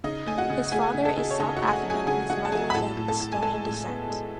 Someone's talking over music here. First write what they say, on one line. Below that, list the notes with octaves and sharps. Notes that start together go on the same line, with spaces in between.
His father is South African and his mother is of Estonian descent.
C#3 D#4 D#5
A3 G#5
F#4 F#5
C#3
A3 G#4 G#5
C#3
A4 A5
C#3
C#5
C#3 D#4 D#5
F#4 F#5
A3
G#5
F#4 F#5
F#3
G#4 G#5
C#3 G#4 G#5
C#3 F#4 F#5
A5
F#3 G#4 G#5
B5
A2 A4 A5
A2
A4 A5
A2
G#5
G#3 A4 A5
A2
B3
G#3